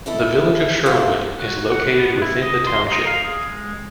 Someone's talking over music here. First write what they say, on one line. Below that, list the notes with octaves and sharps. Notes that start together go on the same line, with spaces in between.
The village of Sherwood is located within the township.
B2 E4 A4 A5
F4 A4 A#4 C5 E5 F#5
F#4
F#5
B3
E4
D#5
C6
D#4
F5
G#4
G#3